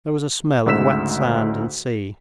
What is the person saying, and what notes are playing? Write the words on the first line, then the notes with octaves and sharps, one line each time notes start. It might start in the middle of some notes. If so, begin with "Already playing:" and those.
There was a smell of wet sand and sea.
D2 G#2 C#3 E6 B6 E7